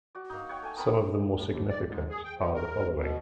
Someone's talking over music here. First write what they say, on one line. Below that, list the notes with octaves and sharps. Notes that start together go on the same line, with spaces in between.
Some of the more significant are the following.
F#4 D5
A#3 D#4
C#5 F#5 G5 C#6
A3 G5 G#5
B3 A#4 A5 B5
A2
D#2
D5
G#2
G#4
G5
F3
A#4
B2